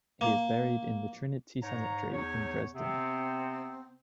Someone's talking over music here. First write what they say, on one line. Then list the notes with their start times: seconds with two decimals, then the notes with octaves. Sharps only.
He is buried in the Trinity Cemetery in Dresden.
0.21 A#3
1.63 G#2 C#5 A#5
2.13 E2 D#4 C#5
2.74 C3 B3 C4